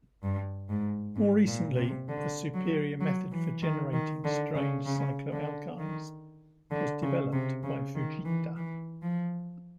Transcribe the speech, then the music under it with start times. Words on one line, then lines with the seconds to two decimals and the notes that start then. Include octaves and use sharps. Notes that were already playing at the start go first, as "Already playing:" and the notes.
More recently, a superior method for generating strained cycloalkynes was developed by Fujita.
0.23 G2
0.69 G#2
1.16 G#2
1.47 A#2
1.77 C3
2.09 D3
2.54 F#3
3.00 F#3
3.32 E3
3.62 D#3
3.93 D#3
4.25 D3
4.55 C#3
4.86 C#3
5.32 D3
5.79 D#3
6.71 D3
7.02 C#3
7.33 C3
7.63 C#3
7.95 D#3
8.25 E3
8.56 E3
9.02 F3